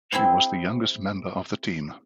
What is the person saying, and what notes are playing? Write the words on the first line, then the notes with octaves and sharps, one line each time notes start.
She was the youngest member of the team.
C4 E4 G#4 C5